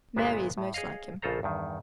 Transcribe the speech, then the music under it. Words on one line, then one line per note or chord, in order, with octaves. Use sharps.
Mary is most like him.
G1 A#2 G#3 B3 G#4 E5
A2
G#4 C#5 D#5 F5
A#1 C#3 F4 A4 C5 A#5
E2 G2 D#3